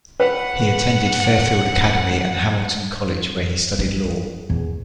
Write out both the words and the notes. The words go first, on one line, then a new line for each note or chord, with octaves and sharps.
He attended Fairfield Academy and Hamilton College, where he studied law.
B4 F#5
E4
E2